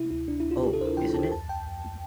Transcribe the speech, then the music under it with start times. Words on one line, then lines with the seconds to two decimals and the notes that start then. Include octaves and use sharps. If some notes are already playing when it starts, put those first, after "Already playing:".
Oh, isn't it!
Already playing: C3 E4
0.10 D2 E4
0.28 D2 D4
0.40 E4
0.46 D2
0.51 F4
0.63 C3 G4
0.73 A4
0.80 D2 C5
0.85 A#4
0.97 E3 G5
1.14 D2 A5
1.32 F2 A5
1.49 F2 G5
1.66 F2